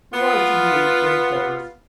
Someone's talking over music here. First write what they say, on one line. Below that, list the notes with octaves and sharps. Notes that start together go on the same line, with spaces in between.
Why should you ape your betters?
B3 F4